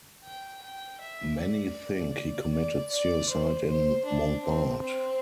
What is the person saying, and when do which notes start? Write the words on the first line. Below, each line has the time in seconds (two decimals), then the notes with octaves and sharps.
Many think he committed suicide in Montbard.
0.24 G5
0.62 G5
1.00 E5
1.39 D5
2.52 D5
2.91 D5
3.29 C5
3.68 C5
4.05 D4
4.43 C4
4.81 C4